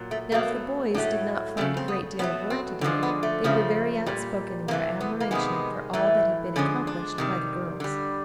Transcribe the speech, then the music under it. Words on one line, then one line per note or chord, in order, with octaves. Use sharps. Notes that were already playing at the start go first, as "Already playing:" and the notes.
Now if the boys did not find a great deal of work to do they were very outspoken in their admiration for all that had been accomplished by the girls.
Already playing: A#2 F#3
A3
B2 F#3 A3 A#3
A2 F#3 A3 D4
C#3 F#3 A3 C4
C4
B3
B2 F#3 A3 B3
C4
D3 F3 G#3 C4
B3
A3
C#3 F3 A3
A#2 G3
C3 E3 A3 A#3
B3
A#3
C3 D#3 G#3 B3
A2 E3 A3
D3 F3 G#3 C#4
D4
C3 D#3 G3
D3 G3